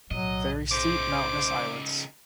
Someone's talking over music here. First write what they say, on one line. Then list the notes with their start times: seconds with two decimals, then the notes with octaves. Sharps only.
Very steep mountainous islets.
0.11 B1 A2 F#3 D#5
0.72 C#3 D#4 C5 D6